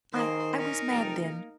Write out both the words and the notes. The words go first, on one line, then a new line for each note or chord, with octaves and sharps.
I--I was mad then.
D#3 A#3 C4 G#4 C5
A#2 C#4 D#4 A#4
F1 G5 A5 A#5
A#3